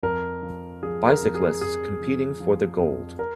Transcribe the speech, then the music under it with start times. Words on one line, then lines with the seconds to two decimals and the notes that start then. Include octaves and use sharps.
Bicyclists competing for the gold.
0.03 F2 A#4
0.42 F3
0.83 F3 G#4
1.08 A#4
1.22 F2
1.35 G#4
1.61 F2 G#4
2.00 F3
2.40 F3
2.80 F2
3.19 A#4